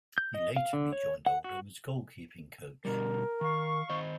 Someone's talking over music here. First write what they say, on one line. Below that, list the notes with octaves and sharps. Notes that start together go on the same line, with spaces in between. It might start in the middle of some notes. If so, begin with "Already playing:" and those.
He later rejoined Oldham as goalkeeping coach.
G6
D#5
F5
D3
C#5
F#5
F#4
B2 D3 G3 A#4
D#3 F5 C#6
D#3 C5 D#5